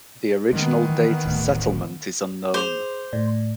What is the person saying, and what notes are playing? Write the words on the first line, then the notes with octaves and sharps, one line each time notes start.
The original date of settlement is unknown.
D#3 G#3 B3
E3
D1 A1 D2
G#4 C5 D6 F7
A2 D5